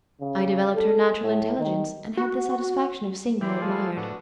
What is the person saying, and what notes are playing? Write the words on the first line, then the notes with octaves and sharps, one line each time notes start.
I developed her natural intelligence, and had the satisfaction of seeing her admired.
C#3
A4
A2
D#3
F#4
E3 G4 D5 C6
F3 G#3 A3
A2 B3 D4 F#4